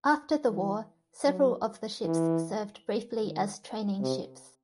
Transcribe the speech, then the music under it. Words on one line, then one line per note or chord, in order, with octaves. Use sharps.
After the war, several of the ships served briefly as training ships.
E3
F#3
E3
D#3
C3